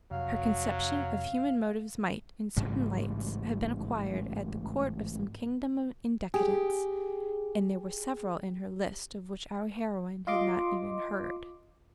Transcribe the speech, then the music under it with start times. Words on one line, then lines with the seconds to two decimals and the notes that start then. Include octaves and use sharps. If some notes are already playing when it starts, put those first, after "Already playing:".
Her conception of human motives might, in certain lights, have been acquired at the court of some kingdom in decadence, and there were several in her list of which our heroine had not even heard.
0.11 F2 C3 F#3 F5
2.56 A1 G#2 C#3 G3
6.34 G4 G#4
10.27 F4 D#5 C6 D6